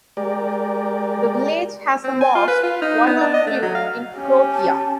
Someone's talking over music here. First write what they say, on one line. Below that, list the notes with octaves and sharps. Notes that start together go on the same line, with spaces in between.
The village has a mosque, one of few in Croatia.
G#3 G4 A#4 D5
C4
G#5
F4
B4
F4
D#4
B3
D4
D#5
A3
F#3
F5
C#4 G4
A5